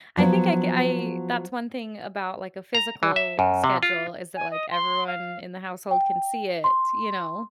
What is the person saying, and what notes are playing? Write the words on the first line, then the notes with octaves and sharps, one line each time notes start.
I think I c I, that's one thing about, like, a physical schedule, is that, like, everyone in the household can see it, you know?
F3 F#3 B3
A#5
E3
E5
F#2
C3
F4
G#5
D#5
C6
F5
G5
C6